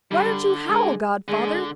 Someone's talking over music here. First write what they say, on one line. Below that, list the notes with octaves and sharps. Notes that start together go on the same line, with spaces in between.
'Why don't you howl, godfather?
D3 G3
G#3
D3 G#3